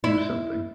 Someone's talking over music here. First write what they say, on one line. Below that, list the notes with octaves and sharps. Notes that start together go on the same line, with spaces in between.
Do something!
E4